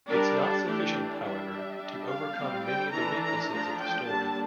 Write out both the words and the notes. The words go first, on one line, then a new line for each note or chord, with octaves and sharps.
It's not sufficient, however, to overcome many of the weaknesses of the story.
G3 D4 A#4
A4
E3 A3 D4 G4
G3 D4 E5
G3 D4
F5
G3 C4
G5
E3 A3 D4 A#5
A#5
F3 A3 D4 A#5
G5
D3 G3 A#3 D4 A5